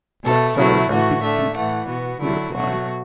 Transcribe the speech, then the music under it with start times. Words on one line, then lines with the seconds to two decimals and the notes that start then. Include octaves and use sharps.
"Black fellow hab big tink," he replied.
0.24 B2 A3 A4
0.56 B2 F#3 A3 E4
0.89 A2 E3 A3 F#4
1.22 D3 A3 E5
1.55 A2 E3 A3 F#5
1.87 B2 B3 F#4
2.20 D3 F#3 A3 E4
2.53 B2 F#3 A3 F#4